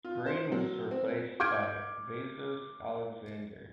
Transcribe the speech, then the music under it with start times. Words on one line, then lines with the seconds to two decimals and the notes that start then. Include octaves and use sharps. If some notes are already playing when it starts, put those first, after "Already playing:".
Green was replaced by Vassos Alexander.
0.04 F4
0.26 C5
0.52 F#3
0.91 C4
1.40 D6 F6 G6 G#6 D7